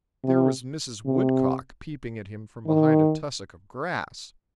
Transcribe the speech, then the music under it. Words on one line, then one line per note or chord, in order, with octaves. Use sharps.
There was Mrs. Woodcock peeping at him from behind a tussock of grass.
C3
C3
D#3